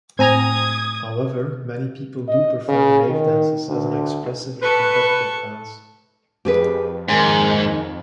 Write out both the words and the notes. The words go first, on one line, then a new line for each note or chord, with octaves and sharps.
However, many people do perform rave dances as an expressively competitive dance.
A2 C4 G#5 A#5 D#6 G#6
D#5
C#3
D#3
D2
A4 B4 C#6
F2 G4 G#4 B4
D#2 G#2 D#3 G#5